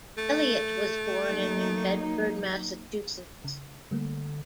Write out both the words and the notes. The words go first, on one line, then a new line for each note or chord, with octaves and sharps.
Eliot was born in New Bedford, Massachusetts.
A3
F#3 A#3 D#4
C#3
D3 G3 A3 A#3